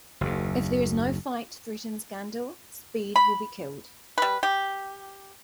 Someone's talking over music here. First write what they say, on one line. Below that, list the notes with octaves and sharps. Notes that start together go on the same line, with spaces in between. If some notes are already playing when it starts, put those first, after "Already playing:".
If there is no fight, threatens Gandil, Speed will be killed.
F#1 D#2
B5
G3 B4
G4